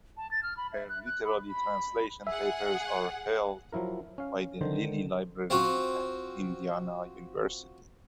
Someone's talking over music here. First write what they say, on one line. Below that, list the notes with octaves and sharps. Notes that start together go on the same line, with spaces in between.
Her literary translation papers are held by the Lilly Library at Indiana University.
A5
A6
F6
B5
E5
F#6
F#6
B5
B5
G#4 E5 F#5
F3 F#3 E4 A#4
C#4 F5
D3 D#3 C5
C4 F4 F#4